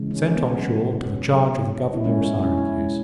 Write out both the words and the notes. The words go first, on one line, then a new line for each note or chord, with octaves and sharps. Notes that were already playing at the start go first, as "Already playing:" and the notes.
Sent on shore, to the charge of the Governor of Syracuse.
Already playing: C#3 E3 G#3
C#4
B3
B2 F#3
B2 F#3
E4
B2 G#3 C#4
E4
C#4
E4
B2 G#3